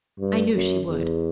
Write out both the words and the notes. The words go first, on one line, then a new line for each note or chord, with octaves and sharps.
I knew she would.
G2
F#2
E2